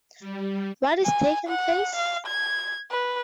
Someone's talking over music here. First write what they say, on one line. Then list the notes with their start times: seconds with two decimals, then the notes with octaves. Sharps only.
What is taking place?
0.20 G3
1.05 G#5
1.48 F#5
1.96 F5
2.27 G#6
2.91 B4